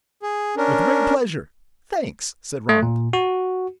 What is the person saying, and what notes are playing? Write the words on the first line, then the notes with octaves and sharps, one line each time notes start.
"With great pleasure--thanks," said Ronald.
G#4
C#4 D4 A#4
A3
A#2
F#4